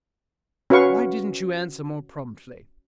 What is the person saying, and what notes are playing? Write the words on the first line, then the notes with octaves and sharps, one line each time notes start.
Why didn't you answer more promptly?
C#4 F#4 B4 F5 C#6